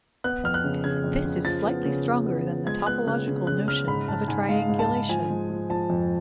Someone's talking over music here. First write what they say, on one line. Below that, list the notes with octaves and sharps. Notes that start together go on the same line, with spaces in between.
This is slightly stronger than the topological notion of a triangulation.
B3 F#6
F2 F6
F#6
C#3
C#3 G#6
F2
C#3
F3 A6
B3
C#3
F3
B3
F3
G#3 G#6
B3 F#6
C#3 F#6
C#3
C#3 F#6
C#3 F6
G#2 B5
G#2 A5
G#2 G#5
G#3 F5
G#2
A5
G#2
F3 G#5
G#3
F3
F3 A5
F2